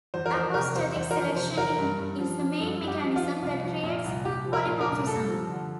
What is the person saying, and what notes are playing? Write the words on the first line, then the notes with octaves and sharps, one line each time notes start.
Apostatic selection is the main mechanism that creates polymorphism.
E2 C5
A#4
F3 C5
C3 A#4
E2 C5
E2 C5
A#4
F3 C5
C3 C5
E2 A#4
G2
G2
F3
F3
G2 A4
G2
G4
F3
F4
F3
C2 F4
F3
A#2
C2
C2 G4
F3
A#4
A#2
A#4
C2
G2 A4
F3
D3